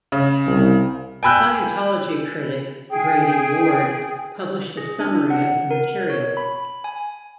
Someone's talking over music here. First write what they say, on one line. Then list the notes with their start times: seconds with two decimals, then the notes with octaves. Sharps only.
Scientology critic Grady Ward published a summary of the material.
0.12 C#3
0.47 C2
1.23 G5 G#5 B5 E6 F#6 G6
2.90 G#4 G5
4.77 G#4
5.00 D4
5.30 F#5
5.71 A#4
6.10 C#5
6.37 B5
6.84 G#5